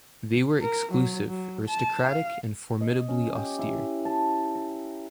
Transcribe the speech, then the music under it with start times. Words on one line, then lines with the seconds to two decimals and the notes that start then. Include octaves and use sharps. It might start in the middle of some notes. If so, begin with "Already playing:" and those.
They were exclusive, aristocratic, and formidably austere.
0.61 A#4
0.91 F#3
1.28 F#3
1.67 A5
2.08 F5
2.81 D#5
3.09 C#4
3.35 G4
3.59 E4
4.05 A5
4.55 A#5